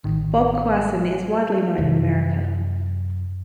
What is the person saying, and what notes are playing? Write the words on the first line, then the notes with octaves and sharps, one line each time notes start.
Bob Coassin is widely known in America.
A1 D#3
F#2 C3